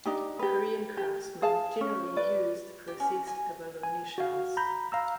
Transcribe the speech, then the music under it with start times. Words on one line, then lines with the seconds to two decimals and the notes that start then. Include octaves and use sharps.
Korean craftsmen generally use the processed abalone shells.
0.06 D4 D#4 G4
0.39 G4 B4
0.97 G4
1.42 G#4 F5 A5
1.81 C#4
2.16 B4 D5
2.87 G4
3.00 C#4
3.27 G#5
3.83 G#5
4.18 F#4 F5
4.57 A#5 B5 G6
4.92 F5 A#5 E6